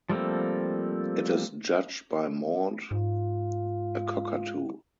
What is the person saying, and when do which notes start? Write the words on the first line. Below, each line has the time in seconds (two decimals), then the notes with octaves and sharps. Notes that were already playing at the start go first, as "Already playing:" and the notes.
It is judged by Maude, a cockatoo.
0.09 F3 G3 A3 A#3 C4
2.91 G#2 F4